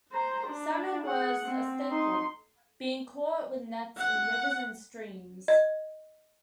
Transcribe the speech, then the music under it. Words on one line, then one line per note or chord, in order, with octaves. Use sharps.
Salmon was a staple, being caught with nets in rivers and streams.
C5 A#5
D4
G#4 F#5
C4
D#4 C6
F#5
D#5